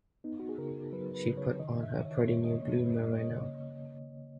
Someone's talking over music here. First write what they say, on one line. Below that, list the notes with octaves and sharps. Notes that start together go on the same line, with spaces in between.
She put on her pretty new blue merino.
B3 D#4
F#4
G#4
C#3 A#4
F#3 B4
B4
C#3
C#5
D#3 D#5
E5
D#3
C#5
A#3 C#5
D#5
A#3 C#5
B4
A#3 D#5
C#5
D#5
C#3